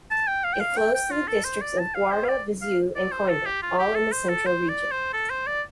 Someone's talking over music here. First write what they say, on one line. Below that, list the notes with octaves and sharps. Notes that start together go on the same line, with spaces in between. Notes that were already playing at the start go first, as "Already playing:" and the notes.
It flows through the districts of Guarda, Viseu and Coimbra, all in Centro Region.
A5
G5
F5
G5
F5
G5
G5
F4
A4
C5
D5
A5
F5
C5
F5
D5
F5
D5
C5
A4
G4
F4
G4
A4
C5
A4
C5
D5
C5
A4
C5
D5